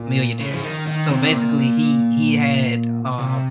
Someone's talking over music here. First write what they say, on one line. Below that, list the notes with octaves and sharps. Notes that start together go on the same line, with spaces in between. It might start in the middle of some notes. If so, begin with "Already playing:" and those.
millionaire, so basically, he he had, um
Already playing: A#2
C#3
F3
D#3
D#3
C3
A#2
C3